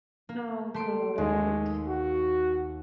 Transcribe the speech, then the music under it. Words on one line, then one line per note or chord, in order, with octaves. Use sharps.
Oh, good.
A#3
A3 C6 D7
D#2 G#3
F#4